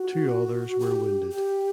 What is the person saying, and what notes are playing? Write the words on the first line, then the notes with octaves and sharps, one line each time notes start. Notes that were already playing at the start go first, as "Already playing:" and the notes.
Two others were wounded.
Already playing: F#4
G4
G4